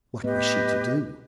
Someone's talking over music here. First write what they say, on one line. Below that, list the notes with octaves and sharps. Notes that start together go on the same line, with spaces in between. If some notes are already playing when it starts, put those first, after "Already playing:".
What was she to do?
A2 B3 G4 B4 D#5